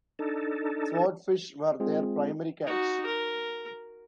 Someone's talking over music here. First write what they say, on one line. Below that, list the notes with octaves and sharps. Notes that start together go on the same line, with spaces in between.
Swordfish were their primary catch.
D4 D#4 A4
G#3 C4 F4 G#4
D#4 F#4
A#4